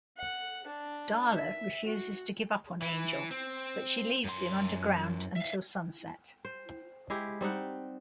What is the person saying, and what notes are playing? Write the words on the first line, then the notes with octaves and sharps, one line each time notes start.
Darla refuses to give up on Angel, but she leaves him underground until sunset.
F#5
D4
E5
F#4
E3 E4
C4
F#2 C6
E5 F5
C5
G#3 E4 G4
G3 C4 D#4 F#5